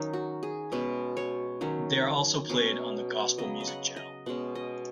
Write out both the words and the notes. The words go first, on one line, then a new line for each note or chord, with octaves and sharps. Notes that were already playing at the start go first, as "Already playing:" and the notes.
They are also played on the Gospel Music Channel.
Already playing: D#3 F#3 C#4 D#4
F#4
G#4
B2 G#3 C#4 B4
C#5
D#3 F#3 C#4
B2 F#3 C#4
C#3 F#3 B3 D#5
D#5
F#5
D#5
B2 G#3 C#4 F#5
D#5